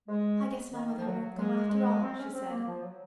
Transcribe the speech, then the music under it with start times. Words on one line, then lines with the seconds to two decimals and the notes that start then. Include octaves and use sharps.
"I guess my mother won't go, after all," she said.
0.08 G#3
0.72 D#3
0.97 F3
1.05 F#3
1.38 G#3
1.69 G#3
2.02 C4
2.18 C#4
2.34 C4
2.50 A#3
2.66 F3
2.83 F#3